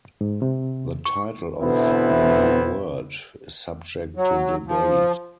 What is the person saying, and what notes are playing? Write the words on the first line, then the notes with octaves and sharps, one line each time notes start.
The title of "The New Word" is subject to debate.
G#2
C3
C#6
B2 D3 E3 B3 C4 E4
F#3
F3